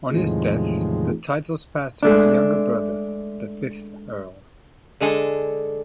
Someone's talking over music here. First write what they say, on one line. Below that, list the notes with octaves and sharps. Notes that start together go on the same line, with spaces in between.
On his death the titles passed to his younger brother, the fifth Earl.
E2 A2 C3 D#3 F3 G#3
G#3 A3 D4
D3 G#3 G#4 A4